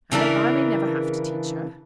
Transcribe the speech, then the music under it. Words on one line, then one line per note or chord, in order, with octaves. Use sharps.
"I hope I may never have to teach her."
C#3 E3 D4 A#4